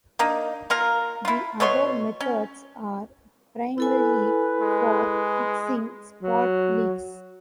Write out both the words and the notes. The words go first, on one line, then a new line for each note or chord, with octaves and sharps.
The other methods are primarily for fixing spot leaks.
A#3 D4 D#4
A#3 F4 A#4
E4 F4
B2 A3 C#5 C6
C#4
E4 A4 B4 G#5
G#3
F#3